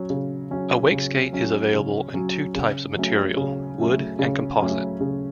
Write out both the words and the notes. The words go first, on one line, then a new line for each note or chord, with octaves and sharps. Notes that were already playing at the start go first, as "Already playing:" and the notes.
A wakeskate is available in two types of material: wood and composite.
Already playing: F#3 C#4
C#3
F#3 C#4
C#3
F#3 C#4
C#3
F#3 C#4
C#3
F#3 A3 C#4
C#3
F#3 A3 C#4
C#3
F#3 A3 C#4
C#3